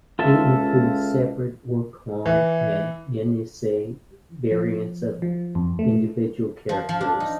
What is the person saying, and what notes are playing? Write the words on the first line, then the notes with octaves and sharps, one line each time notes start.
It includes separate "Orkhon" and "Yenisei" variants of individual characters.
C#2 F4 A4 E5
E3
F3
F3
F2
A3
F3
F3
D4
D#4